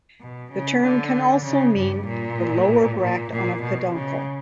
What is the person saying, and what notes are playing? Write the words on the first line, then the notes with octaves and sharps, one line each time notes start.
The term can also mean the lower bract on a peduncle.
B2
C#3
D3
C#3
G2
A#2
A#2
A#2
B2
C#3